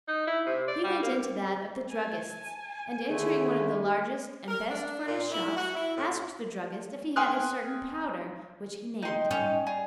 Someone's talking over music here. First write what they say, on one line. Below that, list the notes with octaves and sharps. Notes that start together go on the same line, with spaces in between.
He went into that of the druggists; and entering one of the largest and best furnished shops, asked the druggist if he had a certain powder, which he named.
D#4
E4
C3
D5
G3
A#3
G#5 A5
D3 D#3 A3 C#4 G4 G#4
A#4
D4
A#2
E4
F#4
E4
A2
G5 G#5 C6 D#6 F6 F#6
D#4 G5 C6
C#4 D#4
G#4 D5